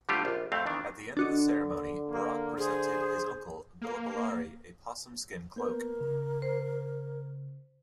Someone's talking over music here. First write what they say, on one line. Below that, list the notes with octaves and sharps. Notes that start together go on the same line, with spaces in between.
At the end of the ceremony Barak presented his uncle, Billibellary, a possumskin cloak.
D3 G3 A3 F4 G4 C5
A#1 G3 F4
F2 A2 A3 C4 F5
D#3 E3 B3 D4
D3 D4 F#4 D#5
A#3
G#4 C5
A#3
A#3 B3 A#4 B4
C#3
C5